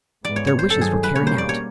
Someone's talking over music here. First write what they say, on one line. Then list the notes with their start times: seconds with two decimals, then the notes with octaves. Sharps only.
Their wishes were carried out.
0.24 G#2 E3 G#3 B3 D5
0.36 C#5
0.47 C#5
0.59 C5
0.70 G2 D#3 F#3 A4
0.81 G#4
1.04 B4
1.15 B2 G3 A#3 C#4 C#5
1.27 C5
1.38 D5
1.49 C#5